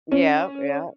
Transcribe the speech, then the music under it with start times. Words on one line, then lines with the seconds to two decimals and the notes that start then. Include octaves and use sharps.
Yeah yeah.
0.12 C#4